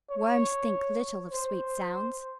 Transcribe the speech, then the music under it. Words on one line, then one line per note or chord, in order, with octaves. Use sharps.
Worms think little of sweet sounds.
C#5
C5